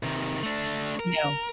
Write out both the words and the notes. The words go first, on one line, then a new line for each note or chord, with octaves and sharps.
you know?
C3 D#3
A3 D4
A#4